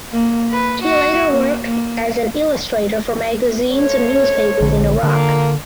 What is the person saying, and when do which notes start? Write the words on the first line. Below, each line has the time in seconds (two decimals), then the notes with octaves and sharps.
He later worked as an illustrator for magazines and newspapers in Iraq.
0.12 A#3
0.51 B4
0.82 F#4
1.31 A#3
1.67 A#3
3.71 A3 C5 C#5
4.61 A#1 D3
5.03 A#2 D3 A#3